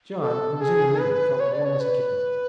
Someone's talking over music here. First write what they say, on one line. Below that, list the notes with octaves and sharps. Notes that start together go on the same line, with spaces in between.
John, who was in the middle, felt warm as a kitten.
A4
G#4
B4
C#5
D5
C#5
B4